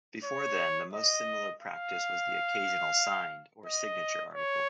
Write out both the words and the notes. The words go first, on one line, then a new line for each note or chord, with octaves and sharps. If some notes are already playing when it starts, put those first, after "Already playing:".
Before then, the most similar practice was the occasional "signed" or "signature" article.
C#5
D#5
F5
D#5
C#5